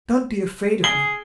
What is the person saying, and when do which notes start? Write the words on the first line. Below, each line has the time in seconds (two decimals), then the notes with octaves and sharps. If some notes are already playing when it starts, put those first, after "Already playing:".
Don't be afraid of me.
0.84 G#4 G7